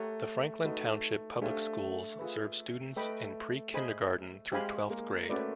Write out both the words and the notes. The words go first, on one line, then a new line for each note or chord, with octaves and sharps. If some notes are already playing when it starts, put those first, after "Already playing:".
The Franklin Township Public Schools serve students in pre-kindergarten through twelfth grade.
Already playing: A3 G4 A#4 C#5 F#5 A#5
A3 D#4 F#4 B4 D#5
A3 D4 G4 C5 F5 G#5
F4 G#4 B4
A3 B4 D#5 G5 B5
G#4 C5 D#5 G#5 B5
G#3 G4 C5 F5 G#5 B5
A#3
A3 C#4 F#4 B4 D5